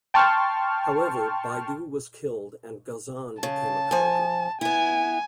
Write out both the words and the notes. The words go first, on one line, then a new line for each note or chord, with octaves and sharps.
However, Baidu was killed and Ghazan became a khan.
G5 A5 C6 C#6 F6
C#3 A5
F3 G#5
B3 E4 G#5